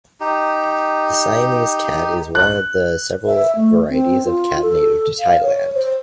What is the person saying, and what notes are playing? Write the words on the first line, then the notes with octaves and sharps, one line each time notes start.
The Siamese cat is one of the several varieties of cat native to Thailand.
D#4 G4
F#6
E5
A3
C4
F4
A4
F5
C#5
C5